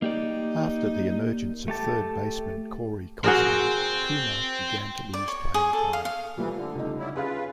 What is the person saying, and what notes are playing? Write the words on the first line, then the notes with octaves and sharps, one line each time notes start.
After the emergence of third baseman Corey Koskie, Coomer began to lose playing time.
A#3 D#4 G4 D5
A3 G4 A5
C4 F#4 G#4 A#4
D5
C#5
G#4
A4
F5
F5
D2 E3 F3 G3 A3
D3
C#2 D#4
F#3 G3 E4
C#4 F4 G#4 B4 F5